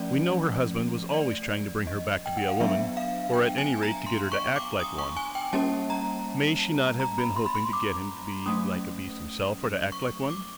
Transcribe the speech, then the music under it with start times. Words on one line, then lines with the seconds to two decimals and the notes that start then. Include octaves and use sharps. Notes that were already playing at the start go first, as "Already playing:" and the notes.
We know her husband was always trying to bring her back to be a woman, or at any rate to get her to act like one, may she not have been hoping to get him to be like a beast himself or to act like one?
Already playing: F3 A3 C#4 D5
1.14 D5
1.87 D#5
2.26 G5
2.37 F#5
2.48 F5
2.60 F#3 B3 D4 E5
2.97 F5
3.34 G5
3.58 G#5
3.83 A#5
4.06 C6
4.32 C#6
4.56 D6
4.80 D#6
4.98 C#6
5.17 G#5
5.35 G5
5.53 G3 A#3 C#4 A5
5.90 A#5
7.00 A#5
7.18 B5
7.36 C6
7.46 B5
7.55 C6
7.73 D6
8.46 F#3 A3 C#4 D#6
9.92 C#6
10.30 D6